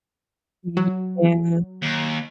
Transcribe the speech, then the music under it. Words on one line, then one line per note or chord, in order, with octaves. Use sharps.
Mm. Yeah.
F#3
D#2